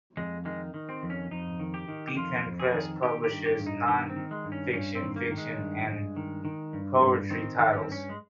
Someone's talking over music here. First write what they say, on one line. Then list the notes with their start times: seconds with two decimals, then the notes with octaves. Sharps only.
Beacon Press publishes non-fiction, fiction, and poetry titles.
0.17 F2 G#3
0.45 D#3 G#3
0.74 D#3
0.89 C4
1.03 F2
1.10 C#4
1.31 F2 D#4
1.59 D#3
1.74 G4
1.88 D#3
2.07 G4
2.16 F2 F4
2.45 F2
2.60 G#4
2.74 D#3
3.03 D#3 G4
3.24 G4
3.31 G2
3.45 G4
3.59 G2
3.67 D#4
3.87 D#3 G4
4.09 C4
4.16 D#3
4.31 G#3
4.45 G2
4.52 C#4
4.73 G2 C#4
4.95 C4
5.02 D#3
5.16 A#3
5.31 D#3
5.37 G#3
5.59 G2
5.88 G2
6.16 D#3
6.45 D#3
6.73 G2
7.02 G2
7.30 D#3 C4
7.58 D#3
7.73 C#4
7.82 C4
7.87 G2 C#4
8.09 G#3